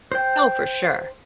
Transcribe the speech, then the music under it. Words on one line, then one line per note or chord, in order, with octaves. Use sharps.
Oh, for sure.
C5 G5